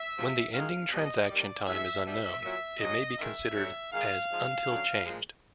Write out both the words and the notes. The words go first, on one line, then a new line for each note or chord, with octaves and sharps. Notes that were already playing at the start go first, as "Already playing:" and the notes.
When the ending transaction time is unknown, it may be considered as "Until Changed".
Already playing: E5
C3 F3 G#3
F#2 D#3 G#3 F5
B2 G3 D#5
C3 D#3 G3 D5
G2 E3 G#3 E5
B2 G3 E5
A#2 F#3
F#2 C#3 F#3 D#5
F#2 D#3 G#3 E5
F#2 D3 F#3
G#2 D#3 G#3 F5
G#2 F3 G#3
F#2 D3 F#3
A#2 F3 G#3